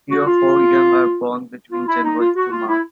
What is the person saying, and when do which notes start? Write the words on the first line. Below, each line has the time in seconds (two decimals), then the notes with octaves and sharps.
Three to four young are born between January to March.
0.10 F#4
0.26 F4
1.71 F4
1.87 E4
2.03 D#4
2.19 F4
2.36 F#4
2.51 F4
2.68 E4